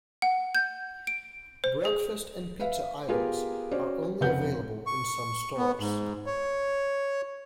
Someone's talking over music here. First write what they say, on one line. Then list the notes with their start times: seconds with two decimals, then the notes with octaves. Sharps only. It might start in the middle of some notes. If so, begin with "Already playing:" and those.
Breakfast and pizza items are only available in some stores.
0.22 F#5
0.55 G6
1.07 D7
1.64 C5
1.85 G#4
2.60 B4 E5 F5
3.08 B3 F4 G4 G#4 A#4 B4
3.71 C#4 F#4 C5 D5
4.21 F1 C#3 A#4 B4 F#5 G6
4.86 C#6
5.57 B3
5.79 G#2
6.26 C#5